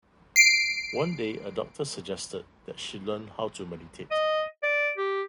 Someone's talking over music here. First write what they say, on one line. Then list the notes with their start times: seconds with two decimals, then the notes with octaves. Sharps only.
One day a doctor suggested that she learn how to meditate.
0.36 C7 D7
4.11 D#5
4.63 D5
4.97 G4